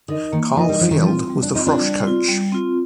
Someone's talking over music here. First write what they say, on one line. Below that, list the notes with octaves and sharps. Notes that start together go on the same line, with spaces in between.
Carl Fjeld was the frosh coach.
D3 D#4 A#4 D#5
D#3 A#3
F3 D#4 A#4 D#5
G3
F3 G3
D#3
F3
C4 F4
G3
D4
C4 D#4 F4
D4
G3
C4 F4
G3
C4 F4